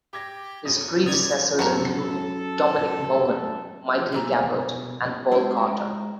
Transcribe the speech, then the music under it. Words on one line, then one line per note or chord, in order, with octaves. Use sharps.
His predecessors included Dominic Mohan, Michael Gabbert and Paul Carter.
G4 D6 G#6 A#6
C#4 D#6
F#3 C#4 D5 D#6 G#6 A6 F7
F#2 F#4 G4 A4 A#4
B2 E3 G3 A#5
G#3 C#4 E4 C5 C#5
A#5